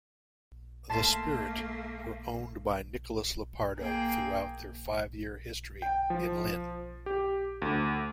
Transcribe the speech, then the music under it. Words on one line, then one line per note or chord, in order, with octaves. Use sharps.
The Spirit were owned by Nicholas Lopardo throughout their five-year history in Lynn.
A3 A#3 A5 C6 B6
A#3 G#4 G5
G5
F3
G4
D2